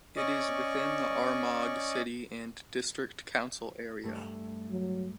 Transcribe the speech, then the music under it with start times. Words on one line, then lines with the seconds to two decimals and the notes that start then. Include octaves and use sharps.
It is within the Armagh City and District Council area.
0.17 C#4 D5 D#5 C#6
4.03 G2 A3 D4
4.70 F#3